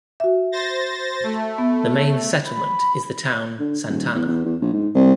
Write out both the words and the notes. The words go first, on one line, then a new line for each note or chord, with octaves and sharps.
The main settlement is the town Santana.
F#4 E5
C5 A6 A#6
A3
B3
B5
D3
D#1
E2
E2
E2
A#1
G#2
C2